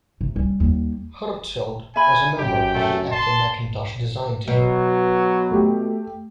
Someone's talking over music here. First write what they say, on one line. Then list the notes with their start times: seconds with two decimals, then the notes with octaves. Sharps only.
Hertzfeld was a member of the Apple Macintosh design team.
0.21 C3
0.36 G3 C#4
0.60 D#2 G3
1.96 E5 G#5 B5
2.38 F#2 G4 G5
2.74 A3
3.12 A5 C6
4.48 B2 F#3
5.51 A3 G4